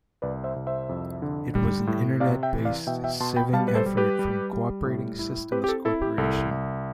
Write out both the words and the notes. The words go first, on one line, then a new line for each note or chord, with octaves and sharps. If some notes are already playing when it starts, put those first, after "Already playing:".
It was an internet-based sieving effort from Cooperating Systems Corporation.
C2 B4 D5
C5 E5
C2
C5 E5
F2
D3
G3
A2
C3 D5 F5
E5 G5
E3
D5 F5
B2 E5 G5
E5 G5
B2 A5 C6
G5 B5
G3 F5 A5
B4
A4 C5
G3
G4 B4
G3
G3
A2
E4
C4 G4 B4
G4
A4
E4 A4
G4
C2 A4
C2